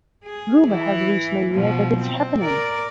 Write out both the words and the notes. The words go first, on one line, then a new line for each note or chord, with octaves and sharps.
Rumor has reached my ear that it's happening.
G#4
E3
B2 F3
C4
A#4 D5